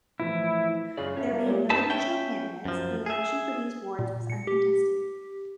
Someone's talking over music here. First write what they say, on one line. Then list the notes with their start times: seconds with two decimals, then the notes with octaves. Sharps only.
There being no additional candidates, the election for these Wards was uncontested.
0.20 A2 E3 F3 E4
0.97 F#2 C#3 F4 D5
1.16 A2 C#4 C#5 E5
1.33 G3 A#3
1.46 A#2 G#3 G4 C#5
1.70 G2 A3 D#4 B4 A5 B5
1.90 C#4 E5 G5
2.65 F#2 F3
3.06 G#4 E5
3.99 A#2
4.30 C#7
4.47 G4